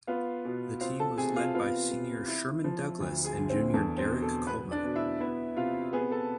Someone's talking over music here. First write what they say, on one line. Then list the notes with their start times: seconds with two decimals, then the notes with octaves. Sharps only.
The team was led by senior Sherman Douglas and junior Derrick Coleman.
0.07 B3 F4 F5
0.45 B2
0.81 C4 F4 F5
1.00 A4 A5
1.18 C3 G#4 G#5
1.36 F4 F5
1.55 B3 F4 F5
1.91 C3
2.28 E4
2.64 F3
3.00 D2
3.24 G#4 G#5
3.38 D3
3.49 C4 C5
3.74 E2 A4
3.98 C4 C5
4.10 B2
4.22 A4
4.47 B3 B4
4.71 D4 D5
4.84 B2
4.96 E4 E5
5.20 B3 E4 E5
5.57 C3 F4 F5
5.93 B3 G#4 G#5
6.11 A4 A5